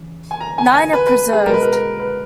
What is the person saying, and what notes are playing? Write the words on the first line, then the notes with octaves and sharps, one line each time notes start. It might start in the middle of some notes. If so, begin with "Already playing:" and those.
Nine are preserved.
Already playing: C#3 E3
G#5
A#5
G#5
G#5
B4
B4
G#4
B2 G#3 A#4
B4
A#4
A#4
B4